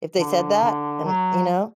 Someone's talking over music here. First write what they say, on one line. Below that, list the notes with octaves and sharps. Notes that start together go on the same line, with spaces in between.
if they said that and, you know,
D3
D3
F#3